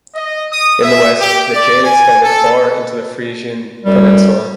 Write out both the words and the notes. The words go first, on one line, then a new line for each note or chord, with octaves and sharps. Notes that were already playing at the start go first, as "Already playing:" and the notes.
In the west, the Jade extended far into the Frisian peninsula.
D#5
D#6
E5
G4
D5
G#5
A4
F#2 G3